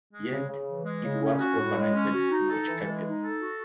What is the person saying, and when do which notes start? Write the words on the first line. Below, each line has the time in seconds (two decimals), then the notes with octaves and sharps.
Yet, it was urbanised much earlier.
0.12 G#3
0.31 C#3
0.48 C#3
0.67 E3
0.85 G#3
1.04 C#3
1.22 C#4
1.40 F#4
1.59 A2
1.77 G#3
1.95 C#4
2.12 F#4
2.32 D#4
2.49 A4
2.68 E3
2.85 G#3
3.04 D#4
3.23 A4
3.41 F#4